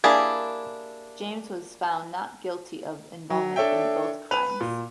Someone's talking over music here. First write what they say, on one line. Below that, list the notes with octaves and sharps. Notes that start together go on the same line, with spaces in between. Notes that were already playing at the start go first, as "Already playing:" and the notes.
James was found not guilty of involvement in both crimes.
A#3 D4 E4 G4 G#4
F#3
D4 A4 C#5 E5 G5
B4 F7
A#2